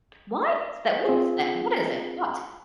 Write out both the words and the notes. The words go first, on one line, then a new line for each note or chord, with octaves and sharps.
Why is that? What is that? What is it? What?
C4 F4 G#4